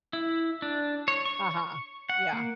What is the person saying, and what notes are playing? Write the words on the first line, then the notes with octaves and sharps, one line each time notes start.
Uh-huh, yeah.
E4
D4
C#5
C#6
F#5
A#3